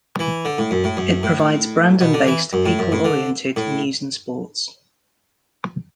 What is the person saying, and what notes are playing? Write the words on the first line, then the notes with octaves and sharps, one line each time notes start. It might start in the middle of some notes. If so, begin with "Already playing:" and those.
It provides Brandon-based, people-oriented news and sports.
E3
D3
A2
F#2
A2
F#2
A2
B2
D3
E3
F#2
A2
F#2
A2
D3
A2